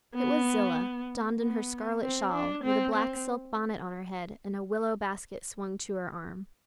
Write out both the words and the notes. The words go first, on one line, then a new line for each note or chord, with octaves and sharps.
It was Zillah; donned in her scarlet shawl, with a black silk bonnet on her head, and a willow-basket swung to her arm.
B3
B3
C4
D4
C4
C4